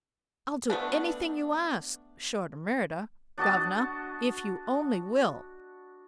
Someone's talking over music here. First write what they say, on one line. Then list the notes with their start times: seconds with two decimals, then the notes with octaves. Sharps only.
'I'll do anything you ask, short o' murder, governor, if you only will.'
0.70 A3 B3 D4
3.38 D4 F#4 D#5 A5